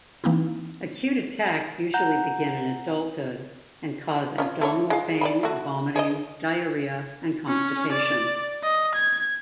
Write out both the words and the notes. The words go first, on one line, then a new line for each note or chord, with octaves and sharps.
Acute attacks usually begin in adulthood and cause abdominal pain, vomiting, diarrhoea and constipation.
E3 A#3 C4 D#4 E4
F#5 A#5 G6
C#4 E4 F4
A3 A#4 C#5
G#3 F5
D5 G5 B5
A3 F#4
G#4 D5 D#5
C#4
D5
D#5
G#6